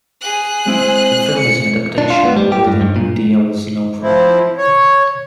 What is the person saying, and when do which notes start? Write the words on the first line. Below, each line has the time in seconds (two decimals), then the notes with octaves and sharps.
The film is an adaptation of William Diehl's novel.
0.21 G#4 F#6
0.66 G#3 C4 E4
1.38 C#7
1.98 D4
2.10 F4
2.25 B3
2.37 G3
2.52 G4
2.67 G2
2.81 G2
2.96 A#2
4.02 F3 C4 E4
4.58 C#5